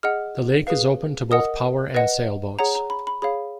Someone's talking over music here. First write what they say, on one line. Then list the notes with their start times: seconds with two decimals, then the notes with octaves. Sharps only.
The lake is open to both power and sail boats.
0.03 G#4 D#5 F#5 F6
0.67 G#4 B4 F5
1.31 A#4 D#5 F#5 D#6
1.94 B4 D#5 F#5
2.59 G#4 C#5 F#5 A#5
2.75 A#5
2.90 B5
3.07 B5
3.22 G#4 C#5 F5 B5